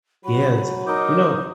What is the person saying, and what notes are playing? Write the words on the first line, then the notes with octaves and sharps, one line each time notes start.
Yeah, it's you know
F#3 F#4 B5
D#4 A#4 D6 D#6 G6